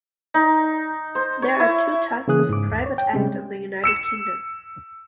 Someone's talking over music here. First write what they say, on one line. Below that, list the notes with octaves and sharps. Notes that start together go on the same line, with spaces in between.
There are two types of private Act in the United Kingdom.
D#4
C5
C#5
E4
C#3 E3 A#3 G#4 D#6 F#6
G#2 D6
D#2
C#5
G5
C3 G3 G#3 C4 C#4
E6 C#7 E7